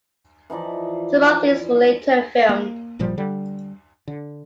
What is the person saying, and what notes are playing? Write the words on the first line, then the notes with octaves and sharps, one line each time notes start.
Some of these were later filmed.
E3 F3 D#4 D5
A#3
F#1 A#2 F3 G3
D3 G3
D3